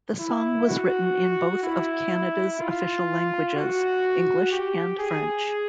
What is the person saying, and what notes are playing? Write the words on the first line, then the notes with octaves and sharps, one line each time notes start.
The song was written in both of Canada's official languages, English and French.
E4
F#4
E4
F4
F#4
G4
G#4